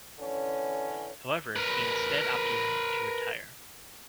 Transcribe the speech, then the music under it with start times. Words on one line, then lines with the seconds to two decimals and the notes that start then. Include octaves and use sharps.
However, he instead opted to retire.
0.18 D3 E3 C#4
1.56 A#4 B4